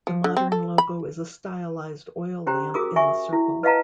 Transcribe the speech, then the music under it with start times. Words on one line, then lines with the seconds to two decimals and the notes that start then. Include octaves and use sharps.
The modern logo is a stylised oil lamp in a circle.
0.07 F3
0.24 D3
0.37 C4
0.52 A4
0.78 B5
2.47 C#4 G4 C5 G5 A#5
2.74 F#4 G#4 A#4 D6 D#6
2.96 E5 G#5 C#6
3.33 E4
3.63 B4 D#5 F5 F#5 A5 A#5